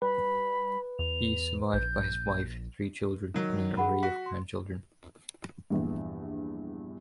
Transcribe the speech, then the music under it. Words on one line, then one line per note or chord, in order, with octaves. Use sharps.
He is survived by his wife, three children and an array of grandchildren.
G3 B4 B5
E2 F7
A#1 G6
D#3 F#3
G#4 F#5 B5
F#4 B6
C6
A#1 E2 G2